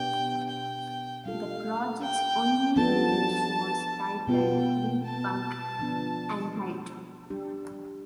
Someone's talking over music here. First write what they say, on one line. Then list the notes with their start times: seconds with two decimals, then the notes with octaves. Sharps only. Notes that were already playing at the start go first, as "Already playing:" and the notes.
The project's only release was titled We Punk Einheit!
Already playing: B2 B3 D4 G4 G5
0.49 G5
1.25 G3 D4 F4 A4 F5
2.01 G5
2.76 F3 B3 D4 F4 A4 A5
4.27 B2 B3 F4 G5
5.04 A5
5.79 D3 F3 B3 D4
7.30 G3 D4 G4